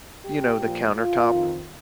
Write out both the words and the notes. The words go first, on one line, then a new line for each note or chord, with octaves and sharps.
you know, the countertop
G4
A#2 F3
F4
F2 D#3